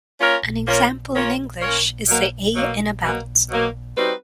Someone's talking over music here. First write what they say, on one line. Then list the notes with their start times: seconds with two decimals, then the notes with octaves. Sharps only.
An example in English is the "a" in "about".
0.20 A#3 C#4 F4 A#4 C#5
0.67 A#3 C#4 F4 A#4 C#5
1.14 A#3 C#4 F4 A#4 C#5
1.61 A#3 C#4 F4 A#4 C#5
2.08 B2 F#3 A#3
2.55 B2 F#3 A#3
3.02 B2 F#3 A#3
3.50 B2 F#3 A#3
3.96 G3 C4 D#4 F#4 B4